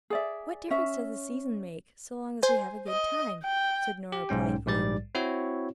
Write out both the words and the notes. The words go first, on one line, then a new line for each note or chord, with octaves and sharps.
"What difference does the season make, so long as we have a good time?" said Nora blithely.
G#4 D5 E5
C#4 E5
C5 G#5
D#5
G5
G4
B1 G#2 C#4 G5
A#1 G#2 G3 D5 A6
C4 E4 F#4 C#5